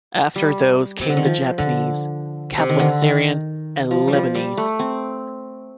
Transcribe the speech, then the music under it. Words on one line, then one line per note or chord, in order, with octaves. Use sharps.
After those, came the Japanese, Catholic Syrian and Lebanese.
G3
C3
D3
D#3
F3
D3
C3
D#3
D3
D#3
F3
G3
F3
G3
A3
C4